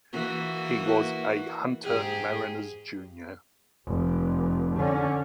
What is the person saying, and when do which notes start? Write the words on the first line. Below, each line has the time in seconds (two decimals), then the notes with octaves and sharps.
He was a Hunter Mariners junior.
0.13 E3 A#3 F#4
1.83 G#2 G4 G#4
3.87 F1
4.76 D3 C#4